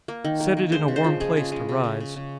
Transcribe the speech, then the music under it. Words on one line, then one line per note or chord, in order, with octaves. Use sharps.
Set it in a warm place to rise.
A#3
D#3
A#3
A#3
G#3 C5
C#3
C5
F3
G#3 G#4
C#3
G#3
C#3
C#3
C#3
C#3